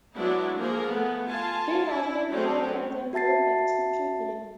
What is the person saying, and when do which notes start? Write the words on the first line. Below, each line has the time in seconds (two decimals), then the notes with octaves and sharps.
Beverly and Paul get them both back to Cleveland.
0.16 F#3 G#3 B3 D4 E4
0.59 F3 A#3 G#4 A#4
0.87 A3 B3
1.28 F4 G#5 A5
1.88 E4
2.31 F#3 G#3 A3 C4 C#4
3.13 F#4 E5 A5 A6 C7